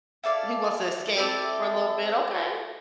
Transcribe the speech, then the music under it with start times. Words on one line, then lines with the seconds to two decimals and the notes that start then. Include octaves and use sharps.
He wants to escape for a little bit, okay.
0.24 E4 A4 D5 F5
1.16 C4 E4 A4 D5